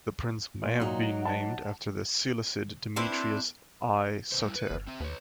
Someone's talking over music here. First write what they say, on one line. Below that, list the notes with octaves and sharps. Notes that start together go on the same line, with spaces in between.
The prince may have been named after the Seleucid Demetrius I Soter.
A#2
F#3 D#4
F#5 A5
C4 D4 E4 B4
C3 B4 C5
G3 E4
B4
G1
C4 E5
D#2 B4 C#5